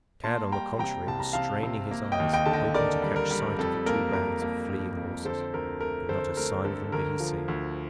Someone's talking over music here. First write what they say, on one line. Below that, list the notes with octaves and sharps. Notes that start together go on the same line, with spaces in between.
Tad, on the contrary, was straining his eyes, hoping to catch sight of the two bands of fleeing horses; but not a sign of them did he see.
A#3 A5 C6
G3 G5 A#5
C3 G5 A#5
C2 A5
A#5
C3 F5 A5
C3
A#3
D#5 G5
D#2
D#5 G5
D3 A5
D#5 G5
D3 A#4 D5
G3
A#4
G3
F2 A4
A#3 A#4
F2 A#4
A#3
F2
F2
D3 A4 C5
D2 A#4
A3 A#4
D2 A4 C5
A3 A#4
D3 A4
D2 A#4
F3
D2